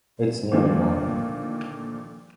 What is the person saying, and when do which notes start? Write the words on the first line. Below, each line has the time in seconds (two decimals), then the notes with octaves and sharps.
It's nearly morning.
0.52 A#2 D3 D#3 F3 A3